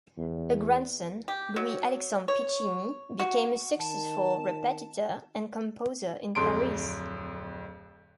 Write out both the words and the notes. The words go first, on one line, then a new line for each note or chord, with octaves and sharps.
A grandson, Louis Alexandre Piccinni, became a successful repetiteur and composer in Paris.
E2
G4
F#3
C#5
F#4
D#3 A5
D1 F2 C6 D7